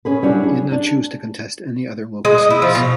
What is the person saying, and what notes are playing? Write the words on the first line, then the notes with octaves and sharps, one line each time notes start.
He did not choose to contest any other local seats.
C#4 G#4 B4
F#3 G3 C#4 D4 E4 G4
G#4
D4
G#3
D#5
E4
F3
B2